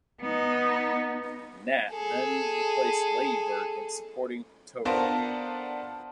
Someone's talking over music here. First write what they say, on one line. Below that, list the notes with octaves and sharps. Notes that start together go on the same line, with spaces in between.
"Gnat" then replaced "Ladybird" in supporting Tobruk.
B3 D#4
G#4 A4
B3 D4 F4 A4 A#4 C5